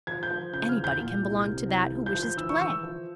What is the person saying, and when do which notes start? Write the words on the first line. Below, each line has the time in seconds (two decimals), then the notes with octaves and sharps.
Anybody can belong to that who wishes to play.
0.07 F3 G#6
0.23 G6
0.30 F3
0.53 C#3 G6
0.69 F6
0.76 E2
0.84 G6
0.99 A#2
1.23 C2
1.46 C3
1.68 C2
1.91 F3
2.06 G6
2.15 F3
2.22 G6
2.37 E3 E6
2.49 C#6
2.60 E3 E6
2.83 F3